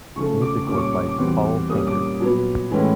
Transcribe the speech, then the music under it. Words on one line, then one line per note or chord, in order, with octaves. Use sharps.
Music was by Paul Tankard.
C#3 F3 A3 C#6
D6
A#2 G3 A#3 C#4 D6
C#6
D6
C#6
D6
E2 B2 G3 C4
A#2 G3 A#3 C#4 D#6
D6
A#2 F#3 B3
A2 E3 G#3 C#4